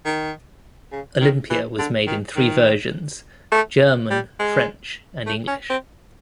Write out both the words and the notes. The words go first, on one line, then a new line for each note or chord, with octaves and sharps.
"Olympia" was made in three versions: German, French and English.
D#3
C#3
D#3
E3
D3
D#3
D#3
A3
G3
G#3
A3
C#4
C4